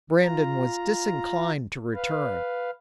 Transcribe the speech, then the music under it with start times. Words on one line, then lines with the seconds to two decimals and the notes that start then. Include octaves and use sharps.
Brandon was disinclined to return.
0.23 F4 A#5
1.94 B4 F5